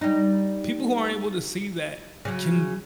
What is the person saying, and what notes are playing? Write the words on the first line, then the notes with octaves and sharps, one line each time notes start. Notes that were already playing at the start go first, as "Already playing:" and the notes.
people who aren't able to see that can
G3 D#4
C#3 F#3